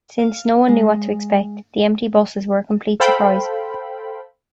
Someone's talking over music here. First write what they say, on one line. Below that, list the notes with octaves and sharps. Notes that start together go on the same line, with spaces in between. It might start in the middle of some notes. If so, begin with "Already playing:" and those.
Since no one knew what to expect, the empty buses were a complete surprise.
F5
G#3
A4 C5 F5 G5 B5